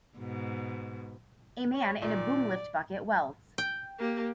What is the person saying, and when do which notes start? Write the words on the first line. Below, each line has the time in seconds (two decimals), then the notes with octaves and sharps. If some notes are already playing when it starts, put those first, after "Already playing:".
A man in a boom lift bucket welds.
0.17 G#2 B2
1.74 C#5
2.02 A#2 D#3 D5
3.58 G5
3.99 A#3 G4